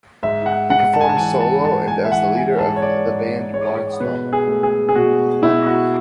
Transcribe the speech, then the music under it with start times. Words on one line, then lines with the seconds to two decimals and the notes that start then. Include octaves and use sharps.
He performs solo and as the leader of the band Barnstormer.
0.23 G#2 E5
0.46 F#5
0.69 G#2 F#5
0.94 A5
1.01 G#5
1.09 A5
1.17 E3 G#5
1.41 A5
1.64 G#2 A5
1.88 G#5
2.05 E5
2.12 E3 F#5
2.35 G#5
2.58 G#2 A5
2.76 C#5
2.82 D5
3.07 G#2
3.53 G#3 C#5
4.00 B2 B4
4.33 G#4
4.48 A3
4.63 G#4
4.89 G#4
4.95 B2 F#4
5.42 B2 E4
5.66 F#4